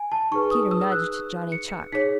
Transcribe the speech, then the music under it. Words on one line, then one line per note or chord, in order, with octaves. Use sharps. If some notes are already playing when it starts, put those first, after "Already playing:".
Peter nudged Johnny Chuck.
Already playing: G#5
A5
D#4 G#4 B4 C#6
D#6
E6
E6
F#6
C#7
D#4 G#4 C#5 B6